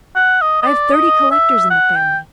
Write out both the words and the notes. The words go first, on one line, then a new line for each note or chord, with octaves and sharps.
I have thirty collectors in the family.
F#5
D#5
D#5
D5
D#5
E5
F#5
G5